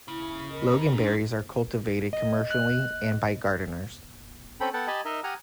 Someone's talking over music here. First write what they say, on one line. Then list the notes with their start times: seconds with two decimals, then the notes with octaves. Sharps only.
Loganberries are cultivated commercially and by gardeners.
0.08 C#3 E4
0.52 A#4 D#5
0.93 G#2 D4 G#4
2.13 D#5
2.51 F#6
4.61 C4 C#4 A4 G5 B5
4.73 B3 A4 F#5 G5 A5
4.87 G4 D#5 G#5 A5 B5
5.05 D#4 A#4 D#5 E5
5.24 G4 F#5 G#5 A#5 D#6 F6